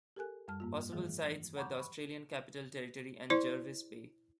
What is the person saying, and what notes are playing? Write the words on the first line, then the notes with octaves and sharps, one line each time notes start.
Possible sites were the Australian Capital Territory and Jervis Bay.
G4 A4 A#4 G#5 F#6
F#2 G3 A5 F6
G#2 A#3 F4
D#3 E3 F#3 G#3 F4 G#4
F#5 A#5 B5 C#6 D6 G6
B5 C#6
E4 C5 D5 C6